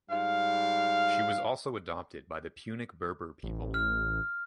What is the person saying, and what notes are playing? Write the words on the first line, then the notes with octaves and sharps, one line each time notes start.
She was also adopted by the Punic Berber people.
G#2 G3 F5
A1
F6